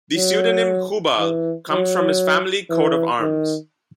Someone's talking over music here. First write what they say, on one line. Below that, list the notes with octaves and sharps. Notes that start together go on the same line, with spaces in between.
The pseudonym "Hubal" comes from his family coat of arms.
F#3
E3
F#3
E3
D#3